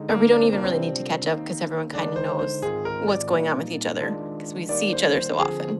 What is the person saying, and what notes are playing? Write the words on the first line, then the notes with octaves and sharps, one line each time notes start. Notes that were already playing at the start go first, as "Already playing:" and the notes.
or we don't even really need to catch up 'cause everyone kinda knows what's going on with each other 'cause we see each other so often.
Already playing: D3 G#3 D#4
A#3
D4
C4
C3 G3 A#3 D4 F4
C4
D#3 A#3 D#4
D3 G#3 D4 D#4
C5
C5
G#2 D#3 G#3 C4 F4 G#4
A#4
D5
A#2 G3 A#3 D#4
D#3 G#3 D4 F4
D#3 G3 A#3 D5
C5
C5
D3 F3 C4 G#4